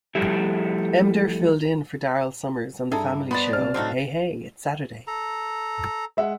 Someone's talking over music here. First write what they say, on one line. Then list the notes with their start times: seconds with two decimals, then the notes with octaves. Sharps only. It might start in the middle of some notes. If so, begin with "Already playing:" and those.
Emdur filled in for Daryl Somers on the family show "Hey Hey It's Saturday".
0.15 F3 G3 A3 E4 G4 E5
2.92 G2 E4 G#4 A4 A#5
3.31 B3 D4 C5 B5 A6
3.53 C2 C3 F6
3.74 A2 D3 F#3 A3 C4 D#4 F#4
5.07 A4 A#5
6.17 G#3 E5 F#5